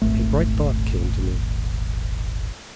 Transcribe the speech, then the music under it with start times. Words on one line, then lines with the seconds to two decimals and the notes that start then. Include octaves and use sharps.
A bright thought came to me.
0.02 D#1 G#1 A3